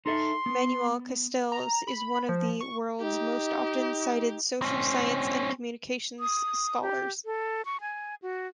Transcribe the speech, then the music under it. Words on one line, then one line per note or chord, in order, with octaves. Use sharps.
Manuel Castells is one of the world's most often-cited social science and communications scholars.
D#4 A4 E5 C6
B3
A#5
B5
F3
C#6
D#4 G4
C4 C#4
D#6
G4
A4
C#6
G#5
F#4